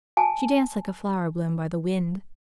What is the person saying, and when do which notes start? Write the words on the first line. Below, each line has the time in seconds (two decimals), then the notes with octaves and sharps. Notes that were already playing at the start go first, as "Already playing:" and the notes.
She danced like a flower blown by the wind.
0.17 G#5 A5